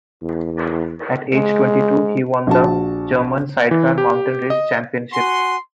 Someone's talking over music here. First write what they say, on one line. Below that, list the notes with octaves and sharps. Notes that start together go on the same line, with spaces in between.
At age twenty-two, he won the German sidecar mountain race championship.
E2
G#3
A#1 F#4 A5
E3
G4
D#5
F#4 F#5 G#5 C6